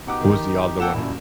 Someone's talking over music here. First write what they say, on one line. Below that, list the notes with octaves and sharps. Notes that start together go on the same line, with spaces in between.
what was the other one?
B2 D#4 G4 F#5 D6
D#3
A#3 A4 F#5 G5 E7
D#1 A#1 F#2 D#3 E4